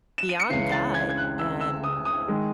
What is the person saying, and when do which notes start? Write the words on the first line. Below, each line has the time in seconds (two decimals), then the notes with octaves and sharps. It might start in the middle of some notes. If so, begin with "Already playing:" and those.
beyond that, um,
0.18 E7
0.29 D#7
0.39 C#7
0.49 C#2 C#3 E3 C7
0.66 C7
0.72 A6
0.94 G#6
1.10 G#6
1.17 F#6
1.39 E6
1.61 E6
1.84 D#6
2.05 D#6
2.28 D#3 G#3